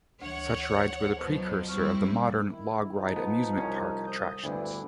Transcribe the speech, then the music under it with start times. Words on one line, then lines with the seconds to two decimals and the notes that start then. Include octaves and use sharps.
Such rides were the precursor of the modern log-ride amusement park attractions.
0.22 D2 E3 C#5 F#5
1.17 B2 F3 F#3 C5
1.68 G3 C4 E4 C#6 F6
2.50 D#3 E4
2.92 F3 D#4
3.16 B3
3.57 C2 C#4
4.07 D#6 G6
4.44 D2 G2 B3 D4 E4